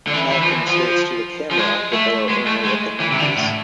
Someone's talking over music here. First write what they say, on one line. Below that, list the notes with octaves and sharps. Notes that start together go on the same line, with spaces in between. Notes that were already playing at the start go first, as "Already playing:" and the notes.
Malcolm states to the camera that they are only at the nineties.
D3
E3
E3
F3
E3
F3
F3
G#3
A3
G#3
A3
G#3
E3
C3
D3
A2